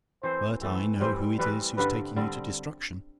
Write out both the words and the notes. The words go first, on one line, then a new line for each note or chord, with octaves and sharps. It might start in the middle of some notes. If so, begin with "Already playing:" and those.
But I know who it is who's taking you to destruction.
E3 A3 C4 C5
E3 A3 C4
E3 G3 C4 C5
E3 G3 C4 B4
G2 D3 G3 C4 B4
D3 G3 C4